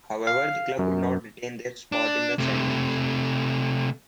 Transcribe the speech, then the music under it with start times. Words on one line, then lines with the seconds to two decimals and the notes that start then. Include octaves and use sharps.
However, the club could not retain their spot in the standings.
0.27 F5
0.79 F#2
1.92 D4
2.39 C3 A3